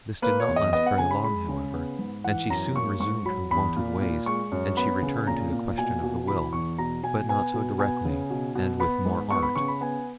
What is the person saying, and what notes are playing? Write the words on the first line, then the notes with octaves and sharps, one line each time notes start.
This did not last very long, however, and she soon resumed her wonted ways. And she returned to the question of the will, but not so directly, and with more art.
A#3 B4
C#5
E2
D#5
B3 D#5
F#5
C#3 G#5
B5
G#3 B5
C#3
B3
G#2
E3 F#5
F#2 A#5
A#3 C#6
G#2 C#6
F#3 B5
E2 B5
A#2
A#2
G#3 C#6
F#2
B3 B5
C#3
A#2 A#5
A#2
B2 G#5
B2
E3 B5
E2 C#6
B2 A#5
B2 G#5
B3 G#5
B2
B3 G#5
C#3
B2
B2
B3 B5
G#2
B3 C#6
B5
C#3 C#6
B5
B3 G#5